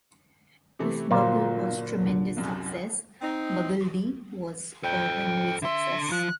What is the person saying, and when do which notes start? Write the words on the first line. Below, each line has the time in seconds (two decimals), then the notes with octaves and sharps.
If "Bubble" was tremendous success, "Buggle D" was a run-way success.
0.79 C3 E3 A3
1.11 G1 A#2 F#3 A#3 F4 C5
2.07 D3
2.37 C2 F#2
3.21 C4 D#4
4.83 A4 C5 G5
5.62 D3 E5 C6
6.11 F3 F4 F#6